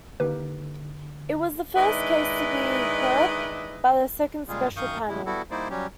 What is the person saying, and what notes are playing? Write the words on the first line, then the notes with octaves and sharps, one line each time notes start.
It was the first case to be heard by the Second Special Panel.
D3 D#3 A#3 G4 B4
D#3 G#3 D4 E4 B4 D#5
A#2 C#3 G3 G#3 F4 G#4
F#2 D#3 F5 C#6 D#6 G6
E2 A2 C#3 G#3 E4
G3 B3 E4 F#4 A4
G3 A#3 D#4 E4 C5 D5
F#3 G3 C#4 G4